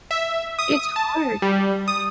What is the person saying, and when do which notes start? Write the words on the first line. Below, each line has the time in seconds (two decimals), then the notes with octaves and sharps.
It's hard,
0.11 E5
0.59 D#6
0.96 A5
1.42 G3
1.88 D#6